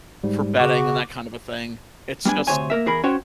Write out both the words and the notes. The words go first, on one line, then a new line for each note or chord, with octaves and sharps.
For betting and that kind of a thing. It's just
G#2 G3
C#3 F#4 D6
G3 B3 D4 G#5
D2 C3 C5 C#5 G#5
A#3 A#4 E5
E2 G#4 A#4 B5
C#4 F#4 C5 C#5 G5